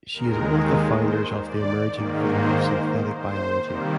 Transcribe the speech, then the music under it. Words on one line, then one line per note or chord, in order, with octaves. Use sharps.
She is one of the founders of the emerging field of Synthetic Biology.
D#2 D#3 G#3 A#4
C5
D5
G#2 D#3 A#3
C5
C5
C3 D#3 G3 A#3